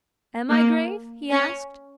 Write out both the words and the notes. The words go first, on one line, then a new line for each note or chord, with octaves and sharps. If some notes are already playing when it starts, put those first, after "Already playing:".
"Am I grave?" he asked.
A#3
C#4